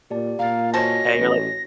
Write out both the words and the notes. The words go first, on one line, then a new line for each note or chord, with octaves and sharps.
And you're like
A#2 G4 D5 A5
A#2 F5 A#5 A6
C#4 F#4 C5 C#5 D#5 A5 A#6
A1